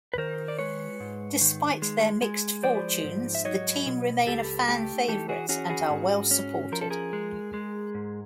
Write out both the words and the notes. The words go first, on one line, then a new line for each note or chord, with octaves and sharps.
Despite their mixed fortunes the team remain a fan favorite and are well supported.
B4
D#3 A#4 C5
D5
G#3 B4 C#5
G#2
D#3
G#3
G#3
F3 C5 D5
G#2
E5
F#3 C#5 D#5
B2
C#2 G4 A4
A3 G4 A4
E3 G4 A4
F#4 G#4
C#4 F#4 G#4
F#4 G#4
G#2
C#4
F3 A#4
A4
G#4 A#4
G#3
G#3
G#2